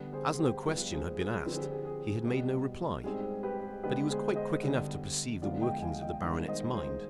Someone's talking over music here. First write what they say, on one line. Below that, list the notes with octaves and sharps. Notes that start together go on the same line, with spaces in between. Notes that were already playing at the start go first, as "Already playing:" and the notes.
As no question had been asked he had made no reply, but he was quite quick enough to perceive the working of the Baronet's mind.
Already playing: D3 G3 B3
G#4 C5
C5
G4 B4
G2 F3 B3 G4 B4
G#4 C5
G#4
D3 F3 C4 B4
G#4
G4
G#4
G#4
B2 G3 B3
G#2 G3 C4 G#4
G4 B4
D3 G#3 B3 G4 B4
G#4 C5
C5 D#5
D3 G3 B3
D3 F3 G#3 B3 D5 F5
D#5 G5
F5 G#5
D#5 G5
G2 D#3 G#3 B3
C5 D#5
G#4 C5